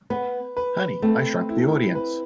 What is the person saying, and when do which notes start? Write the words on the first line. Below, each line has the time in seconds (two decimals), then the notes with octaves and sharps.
Honey, I Shrunk the Audience!
0.10 B3 B4
0.57 B4
1.02 A3 C4
1.49 E4
1.95 B4